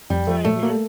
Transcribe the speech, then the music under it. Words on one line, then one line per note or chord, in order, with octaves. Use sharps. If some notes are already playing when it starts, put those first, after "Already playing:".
Same here.
F2 G3
F3
A#2 A3
A#3